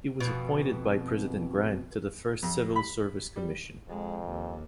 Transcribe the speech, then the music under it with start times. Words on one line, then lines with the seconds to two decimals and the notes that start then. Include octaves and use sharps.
He was appointed by President Grant to the first Civil Service Commission.
0.20 F2 B2
2.43 F2
2.76 B5
3.36 G3
3.89 F2 G#3
4.27 D#2